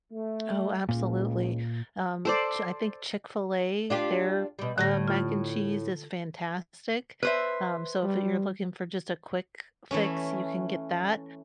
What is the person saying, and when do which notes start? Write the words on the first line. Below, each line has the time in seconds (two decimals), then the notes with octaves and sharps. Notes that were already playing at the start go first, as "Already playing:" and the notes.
Oh, absolutely, um, Ch I think Chick-fil-A, their, uh, mac and cheese is fantastic, um, so if you're looking for just a quick fix, you can get that,
0.12 A3
0.89 C#2 A#2
2.25 A4 C5 D5
3.90 D4 F4 G4
4.59 B2 G3
4.78 A2 D3 G4 A#6
5.08 F4
7.23 B4 C5 E5
8.03 G3
9.91 E3 A3 C#4